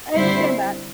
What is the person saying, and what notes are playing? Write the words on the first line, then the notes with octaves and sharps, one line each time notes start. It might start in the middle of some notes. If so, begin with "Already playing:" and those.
I understand that.
D3 G3 C4 E4 C5